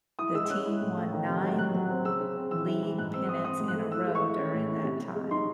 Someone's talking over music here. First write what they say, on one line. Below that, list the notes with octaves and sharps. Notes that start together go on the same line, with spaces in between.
The team won nine league pennants in a row during that time.
E4 D#6
G#3 E6
E6
C#4 F#6
E4
A2
A2
D#3
C3
F#3
F#3 F#6
F#3
C4
C#3 E6
C#3
C4
E3 E6
E4
E3
G#2 F#6
C4 E6
C4 D#6
C4 D#6
G#2
F#6
A3
E4 E6
G#3
C#6
E4
C#4
A2
E4
C3
C3
G#3
D#4 C6